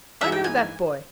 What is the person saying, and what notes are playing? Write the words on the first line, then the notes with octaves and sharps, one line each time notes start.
I know that boy.
G2 E3 G#3 D#4 G#4 E5
G5
G#5